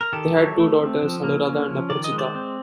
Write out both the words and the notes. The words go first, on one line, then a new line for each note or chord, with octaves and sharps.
They had two daughters, Anuradha and Aparijitha.
A#4
D#3 G4 A4
F#3
A3
C4
F3
A#3
C#4
F3
D#3 D5
D#5
G#3
C5 D5
C4